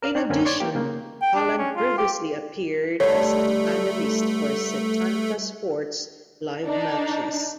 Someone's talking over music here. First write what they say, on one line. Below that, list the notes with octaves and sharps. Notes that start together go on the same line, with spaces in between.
In addition Holland previously appeared as an analyst for Setanta Sports' live matches.
A#4 D5 F5
C4 D4 C#5
F#2 D3 F#3 A#3 C4 C#4
C#5 D5 C6 C#6
A#3 G4
C#3 A#3 D#4
G5
D4
C#4
F4
G4
G2 D3 A3 D#4 C#5 B6 C7
D4 D#4